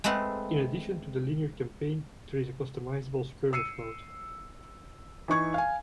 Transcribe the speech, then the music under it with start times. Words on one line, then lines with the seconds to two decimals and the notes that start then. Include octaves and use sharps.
In addition to the linear campaign, there is a customizable skirmish mode.
0.04 G#3 A3 C4 B4 F#5
3.53 E6 C7 C#7 D#7
5.28 E3 D#4 C#6 G#6
5.54 F5 G#5